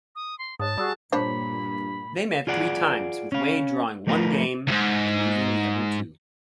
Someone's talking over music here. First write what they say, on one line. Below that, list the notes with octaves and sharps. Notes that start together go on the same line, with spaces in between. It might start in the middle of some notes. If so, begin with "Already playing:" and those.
They met three times, with Wade drawing one game and losing the other two.
D#6
C6
G#2 C#5 A5 D#6
G3 F#4 G#4 D#6 E6 F#6
G2 A#2 D4 C5 C#5 B5
F4 G#4 D5 F#5
C#4 F5
F3 A3 F4 A#4 B4
D2 G#2